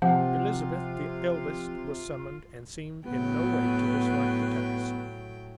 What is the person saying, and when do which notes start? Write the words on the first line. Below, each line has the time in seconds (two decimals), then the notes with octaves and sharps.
Elizabeth, the eldest, was summoned, and seemed in no way to dislike the task.
0.02 C3 F3 F4 F#5
3.06 A2 F#3 B3 G5